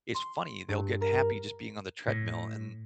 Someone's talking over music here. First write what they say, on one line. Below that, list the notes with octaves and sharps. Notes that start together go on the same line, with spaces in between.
it's funny, they'll get happy just being on the treadmill, and
C6
G2
A#4
A2